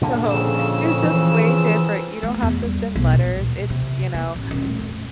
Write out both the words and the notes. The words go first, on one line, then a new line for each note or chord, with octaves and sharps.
So, it's just way different. You don't have to send letters. It's, you know,
A#2 D3
F2 C#3 E6
E3
A3
E2
G3
B1
A#2
D#2
C3
A#3
A1
D#1
A3
F2